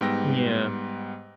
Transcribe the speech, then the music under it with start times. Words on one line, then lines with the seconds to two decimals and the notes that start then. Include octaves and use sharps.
Mm, yeah.
0.01 G#2 G3 B3 G5 E6 A#6